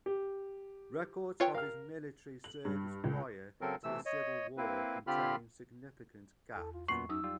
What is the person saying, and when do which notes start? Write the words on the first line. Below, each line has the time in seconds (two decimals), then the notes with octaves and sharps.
Records of his military service prior to the Civil War contain significant gaps.
0.06 G4
1.40 F4 A4 B4 C#5 G5
1.54 A#4 F5 F6
2.44 F#7
2.65 G2
3.04 C#2
3.61 C#3 F#3 C4 A4 A#4
3.84 C3 E3 A3 E6
4.06 C#5 D#5
4.57 A#3 C4 E4 B4
5.07 D3 C4 F4 G4 B5 F6
6.55 E2 A4
6.73 F4
6.88 F#2 A#2 B3 C6 C#6 C7
7.09 F#2 F#3 D#4 D#6 E6
7.24 G3 F4